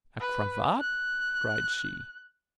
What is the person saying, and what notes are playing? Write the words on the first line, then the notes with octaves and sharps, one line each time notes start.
"A cravat!" cried she.
B4
F#6